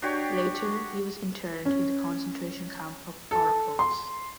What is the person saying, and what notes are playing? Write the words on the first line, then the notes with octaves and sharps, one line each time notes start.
Later he was interned in the concentration camp of Oropos.
D4 F#4 G4 C#5
C#4
A4
C6